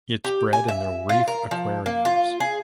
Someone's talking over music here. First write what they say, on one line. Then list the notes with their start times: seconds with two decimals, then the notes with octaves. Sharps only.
It’s bred in the reef aquariums.
0.25 G4
0.53 G#5
0.68 E5
1.09 F4
1.28 A#4
1.51 F3
1.86 A#3
2.05 F4
2.40 G#4